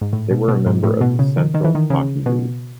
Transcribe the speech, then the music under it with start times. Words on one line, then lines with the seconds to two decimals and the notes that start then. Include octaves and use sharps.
They were a member of the Central Hockey League.
0.02 G#2
0.13 A2
0.31 B2
0.48 B2
0.67 G#2
0.84 A2
1.01 B2
1.19 C#3
1.37 D#3
1.54 D#3
1.65 E3
1.75 D#3
1.90 C#3
2.26 B2